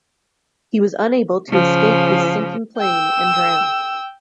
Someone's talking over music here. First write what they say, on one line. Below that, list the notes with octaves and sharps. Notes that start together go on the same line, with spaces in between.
He was unable to escape his sinking plane and drowned.
C#3 F3
G5 E6